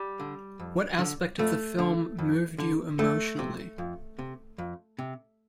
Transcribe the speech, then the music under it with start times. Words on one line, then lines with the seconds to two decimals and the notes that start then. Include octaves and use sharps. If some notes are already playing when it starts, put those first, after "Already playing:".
What aspect of the film moved you emotionally?
Already playing: G3
0.19 D3
0.60 F2
0.99 D3
1.39 F2 A3
1.79 D3
2.19 F2
2.58 D3
2.99 F2 A3
3.39 C3
3.78 F2
4.19 C3
4.58 F2
4.99 C3